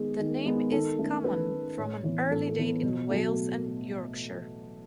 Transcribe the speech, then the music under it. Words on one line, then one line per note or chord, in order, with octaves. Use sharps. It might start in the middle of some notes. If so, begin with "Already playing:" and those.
The name is common from an early date in Wales and Yorkshire.
Already playing: D#3 G#3 B3 G#4
D#3
G#3 B3
D#3 A4
A3 C#4
D#3 B4
A3 C#4
A2 C#5
E3 B3 C#5
A2 A4
A4
E3 B3
B2
F#3 A3